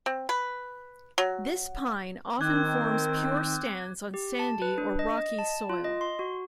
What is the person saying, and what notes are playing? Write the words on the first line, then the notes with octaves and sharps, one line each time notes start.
This pine often forms pure stands on sandy or rocky soil.
C4
B4
F#3
D#3 C4 D6 F#6 G#6
G4
A5
B4
D4
D#5
D#5
A5
F4
D#5
C6
F#4